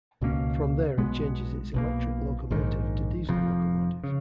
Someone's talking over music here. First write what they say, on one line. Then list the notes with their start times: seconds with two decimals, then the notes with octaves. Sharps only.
From there it changes its electric locomotive to diesel locomotive.
0.21 C#2 B2 A#3 C#4
0.98 B1 B2 G#3 B3
1.74 B1 B2 A#3
2.51 A#1 G#2 D#3
3.27 F1 F2 F3
4.04 C#3